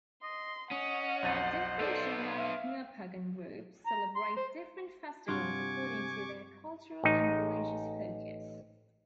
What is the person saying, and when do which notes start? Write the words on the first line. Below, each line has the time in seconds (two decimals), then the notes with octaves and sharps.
Different Germanic Neopagan groups celebrate different festivals according to their cultural and religious focus.
0.23 D#5 C6
0.71 C#4 D#5 F#5 D#6
1.23 B1 F2 C5 A6
1.80 B3 D#4 A4 D5
2.38 E5 F5
3.86 A#5
4.16 C6
4.37 C5
5.28 G2 C3 F4 F#4 G#5 C#6 D6
7.04 A1 D#4